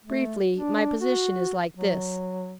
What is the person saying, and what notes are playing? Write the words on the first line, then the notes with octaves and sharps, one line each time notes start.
Briefly, my position is like this.
A3
D4
F#4
F#3